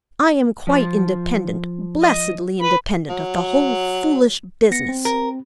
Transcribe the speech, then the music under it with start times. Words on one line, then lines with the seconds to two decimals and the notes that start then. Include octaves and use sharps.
I am quite independent; blessedly independent of the whole foolish business.
0.67 F3 C5
2.02 D#5
2.62 B4 B5
3.09 F#3
4.71 B3 A#6 C#7
4.89 C4
5.05 A#4